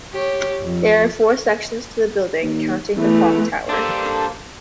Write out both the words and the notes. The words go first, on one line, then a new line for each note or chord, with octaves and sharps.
There are four sections to the building, counting the clock tower.
G4 C#5
F2
D#2
E2 E3 A3 B3
G3 A#3 D4 A4 C5